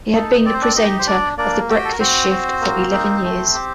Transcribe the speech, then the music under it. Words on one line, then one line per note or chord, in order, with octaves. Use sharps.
He had been the presenter of the Breakfast shift for eleven years.
D#4 A4
C4 D5
C5
D4 D5
D#4 G4 D#5
C5
D4 D5
A#3 D4 D5
F#4 G4 G5
A4
A#4
C4 F#4 C5
F#4
A#3
D#4
A3
G4